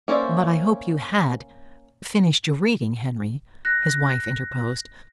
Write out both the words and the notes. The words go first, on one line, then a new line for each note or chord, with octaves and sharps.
"But I hope you HAD finished your reading, Henry?" his wife interposed.
A#3 C#4 C5 D5 E5
F#6 A#6